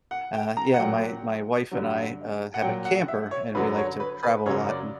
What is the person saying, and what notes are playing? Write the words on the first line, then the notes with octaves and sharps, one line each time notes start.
uh, yeah. My my wife and I, uh, have a camper, and we like to travel a lot an
F#5
G5
A#5
F#5
A#2 F#3 G5
G2 D3 F#3
F#5
A#2 F#3 G5
F#5
E5
C#5
F#2 D3 F#3 B4
C#5
B4
B4
F#2 C#3 F#3 C#5
D5